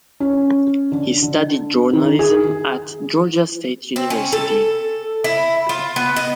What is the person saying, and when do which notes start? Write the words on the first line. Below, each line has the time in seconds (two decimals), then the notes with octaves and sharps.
He studied journalism at Georgia State University.
0.20 C#4
0.92 D3
1.22 D3
1.93 D#3
2.19 G#4
3.96 C4
4.10 C#4
4.32 A4
5.24 E4
5.69 F4
5.96 B3
6.16 D#5